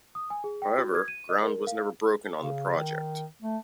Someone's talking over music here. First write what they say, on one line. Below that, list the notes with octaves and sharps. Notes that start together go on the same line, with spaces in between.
However, ground was never broken on the project.
D#6
G#5
G#4
G5
F#4
G#6
D#7
D#5
A#4
F5
C#3
D#3
A3